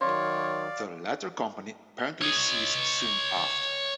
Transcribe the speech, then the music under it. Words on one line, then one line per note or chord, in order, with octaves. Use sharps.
The latter company apparently ceased soon after.
D#3 F#3 C#5 D5 F5 C6
C#5 D#5